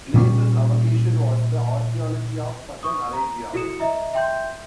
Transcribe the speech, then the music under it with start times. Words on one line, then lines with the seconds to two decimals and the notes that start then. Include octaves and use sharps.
Glaser's avocation was the archaeology of southern Arabia.
0.14 A#2 G3 C#4
2.83 C#6 D#6
3.13 A#5
3.53 E4 F#4 A4 D#6 C#7 E7
3.80 D#5 E5 A#5
4.13 E5 G5 C6 G6